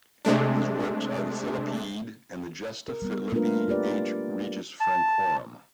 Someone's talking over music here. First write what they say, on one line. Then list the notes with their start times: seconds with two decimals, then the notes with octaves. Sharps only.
His works are the "Philippide" and the "Gesta Philippi H. regis Francorum".
0.25 C3 G#3 A3 D4
2.88 A#4
3.02 G3 B3
3.32 A3 A#3 D4 F4 A#4 B4
3.68 F4 G4 B4 D5
4.80 A5